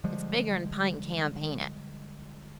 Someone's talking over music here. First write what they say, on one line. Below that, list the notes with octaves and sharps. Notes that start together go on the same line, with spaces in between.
"It's bigger'n Pine Camp, ain't it?"
D3 F3 G3 G#3